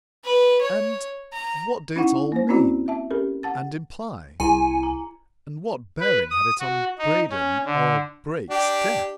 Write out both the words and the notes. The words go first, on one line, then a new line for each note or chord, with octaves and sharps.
And--what did it all mean, and imply, and what bearing had it on Braden or Brake's death?
B4
C#5
A#5
C#4 D#4 E4 F#5 C#6
A#3 C5
C4 C#4 E4 F#4 D5
E5 A5
C#4 G4 A4 A#4
F#5 A5 A6
C2 E4 G#5 A#5 C#7
A#5
B4
D#6
F#4
D#4
C#4
D3
D4 G4